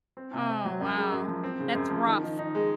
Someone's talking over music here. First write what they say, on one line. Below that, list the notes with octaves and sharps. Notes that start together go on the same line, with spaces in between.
Oh, wow, that's rough.
C4
C3
C4
F#3
F#2
G#3
F#2
F3
C4
C#3
F#2
F3
D#3
D#3
D#4
G#3